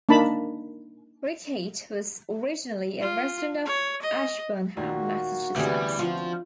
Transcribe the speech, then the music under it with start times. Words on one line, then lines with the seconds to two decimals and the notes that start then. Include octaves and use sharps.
Rickheit was originally a resident of Ashburnham, Massachusetts.
0.09 A#3 D4 D#4 A5 B5
3.00 F4
3.65 C#5
4.02 D#5
4.77 D#2 A#2 A#3 F#4
5.56 D2 C3 E3 G3 B3 G#4
5.99 F3 C4 D4 F4 F#4